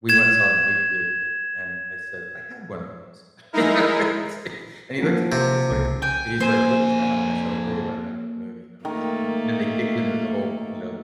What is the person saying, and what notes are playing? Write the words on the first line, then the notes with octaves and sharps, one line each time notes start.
we went and saw in the movie theater together, and I said, "I had one of those." You know, it's like and he looked at me and he's like he's like, "What is that?" And I said, "I'll tell you about it after the movie," you know? 'Cause th then they kicked into the whole, you know
G#6 E7
G#3 D#4 E4 A#4
F3 A#3 F#4
C3
C2 C#3
G5 G#5
F2 A#3 C5 G#5
D#3 A3 A#3